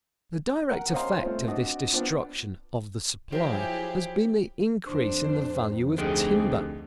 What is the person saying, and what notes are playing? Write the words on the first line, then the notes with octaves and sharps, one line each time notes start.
The direct effect of this destruction of the supply has been the increase in the value of timber.
A#4 F#5
C#4 C5 D#5 F5 A#5 C6
A3 C4 F4
C4 D4 F#4 D#5
B3 C4 D4 F4
F3 F#3 E4 G4 G#4
F2 D4 C5
D2 C4 D#4 G4 G#4